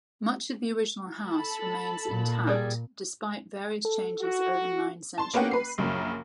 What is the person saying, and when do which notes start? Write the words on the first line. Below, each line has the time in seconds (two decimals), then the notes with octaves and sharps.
Much of the original house remains intact despite various changes over nine centuries.
1.29 A4 A5 B5
2.09 A#2
2.47 G3 G#4 D5
3.85 A4
4.21 F#4
5.18 A5 C6
5.34 A#3 B3 C#4 F#5 G5
5.51 B4 C7
5.78 A#1 F#2 C#3